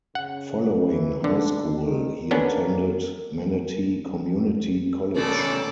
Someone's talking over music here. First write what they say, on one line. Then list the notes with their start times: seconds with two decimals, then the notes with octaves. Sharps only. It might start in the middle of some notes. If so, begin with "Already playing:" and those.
Following high school, he attended Manatee Community College.
0.15 C#3 F#5
0.81 E3
1.24 D3 D4
1.81 D#3
2.31 A#3 B3 C#4 D4
5.16 A2 C#3 A4 D5